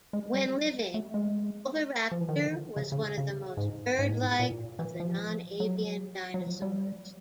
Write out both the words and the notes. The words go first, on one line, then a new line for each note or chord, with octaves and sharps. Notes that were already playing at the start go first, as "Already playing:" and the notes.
When living, "Oviraptor" was one of the most bird-like of the non-avian dinosaurs.
G#3
G3
A3
G#3
F3
E3
D#3
D3
C#3
C#3
D3
C#3
G#2
G#2
A2
G#2
A#2
E3
F3
F#3
F#3
F3
G3